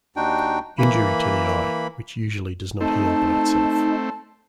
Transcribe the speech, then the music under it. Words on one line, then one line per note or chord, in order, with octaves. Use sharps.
Injury to the eye, which usually does not heal by itself.
D#2 D4 D#4 F#4 G5
E3 A#3 B5
A3 C4 D#4 A5